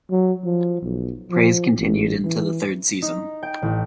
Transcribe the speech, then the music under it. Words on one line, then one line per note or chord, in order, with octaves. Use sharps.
Praise continued into the third season.
F#3
F3
B1
F3
A1
E3
B6
D#4
G5
A1